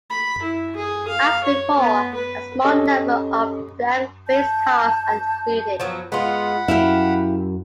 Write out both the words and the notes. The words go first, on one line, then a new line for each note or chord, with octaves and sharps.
As before, a small number of blank-faced cards are included.
B5
E4
G#4
F5
C#5
B3
B4
C#4 G4 A4 D#5
A5 G6
F3 F#3 B3
G#3 B3 F4 F#5 B5
F#2 E4 G4 E5 F5